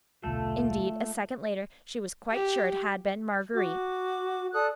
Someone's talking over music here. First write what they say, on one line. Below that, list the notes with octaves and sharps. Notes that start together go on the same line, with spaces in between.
Indeed, a second later, she was quite sure it had been Marguerite.
D#1 B1 D3 A3 F4 A4
G4
F#4 D6
A4 D5 D#6 F#6